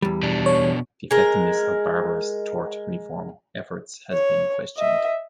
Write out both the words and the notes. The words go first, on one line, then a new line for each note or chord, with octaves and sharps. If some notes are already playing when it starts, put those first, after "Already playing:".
The effectiveness of Barbour's tort reform efforts has been questioned.
E2 G3
B2 D4
C#5
G#3 A#4
C#5
D#5 E5